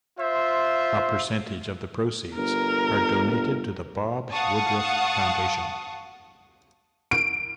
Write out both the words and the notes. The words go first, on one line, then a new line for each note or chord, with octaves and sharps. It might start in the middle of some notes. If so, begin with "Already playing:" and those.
A percentage of the proceeds are donated to the Bob Woodruff Foundation.
F4 C5 E5
G1 A#4
F5 F#5 A5 C#6 D#6
D7